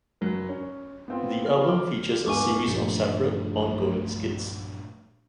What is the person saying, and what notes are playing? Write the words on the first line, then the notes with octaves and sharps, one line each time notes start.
The album features a series of separate, ongoing skits.
F#1 F#3
C#4
B3 C4 F4
F6
D6
D#1 G#2 B3 G#5 C#6 D6
D2 G2 A#2 D#3 F3 G3 A3